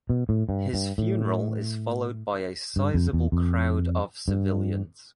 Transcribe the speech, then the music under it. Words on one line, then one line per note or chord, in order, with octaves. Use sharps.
His funeral is followed by a sizeable crowd of civilians.
B2
A2
G2
G2
A2
G2
F2
E2
F2
G2